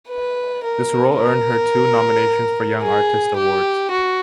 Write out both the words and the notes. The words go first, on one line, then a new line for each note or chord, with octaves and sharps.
This role earned her two nominations for Young Artist Awards.
B4
A#4
A#4
G#4
G4
F#4